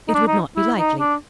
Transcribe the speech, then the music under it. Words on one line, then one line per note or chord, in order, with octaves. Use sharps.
It would not be likely.
D#4
D4
D#4
E4
D#4
D4